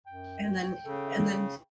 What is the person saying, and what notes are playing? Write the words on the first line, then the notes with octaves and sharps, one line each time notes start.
And then and then
F#2 G5
C#3 A4